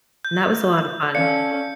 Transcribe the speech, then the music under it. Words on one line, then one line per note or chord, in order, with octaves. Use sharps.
and that was a lot of fun.
G6
C#4 A4 D5 F5 C#7